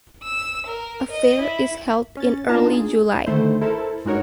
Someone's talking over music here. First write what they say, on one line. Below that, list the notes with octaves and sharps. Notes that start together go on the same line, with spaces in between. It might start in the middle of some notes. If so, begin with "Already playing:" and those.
A fair is held in early July.
E6
A#4
D#5
E4
C#4 A6
B3 D4 D#4 F4 A5 A#5
G#4
D3 D#3 A3 E4 C5
E4 A4 A#4 C5 A5
G2 G#3 D#4 F#4 A#4 C#5